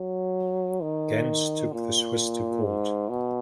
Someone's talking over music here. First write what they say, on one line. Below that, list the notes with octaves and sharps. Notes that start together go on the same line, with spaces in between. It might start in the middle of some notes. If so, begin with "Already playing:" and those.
Ganz took the Swiss to court.
Already playing: F#3
D#3
A#2
G#2
B2